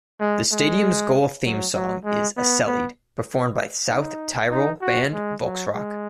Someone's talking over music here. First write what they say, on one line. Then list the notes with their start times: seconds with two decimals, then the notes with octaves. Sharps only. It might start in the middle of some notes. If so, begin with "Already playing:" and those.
The stadium's goal theme song is "Esellied", performed by South Tyrol band Volxrock.
0.21 G#3
0.52 G#3
1.44 F#3
1.74 F#3
2.05 G#3
2.37 B3
2.67 B3
3.90 D#4
4.51 D#4
4.81 F#4
5.13 G#3
5.43 F#3
5.74 G#3